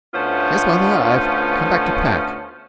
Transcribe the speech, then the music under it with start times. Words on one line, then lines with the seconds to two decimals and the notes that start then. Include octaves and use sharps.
'Yes, mother; I've come back to pack.
0.14 D2 A3 B3 C#4 F4 C5